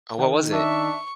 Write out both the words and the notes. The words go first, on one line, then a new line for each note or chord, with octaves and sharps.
Oh, what was it?
D#3
D4 E5 C#6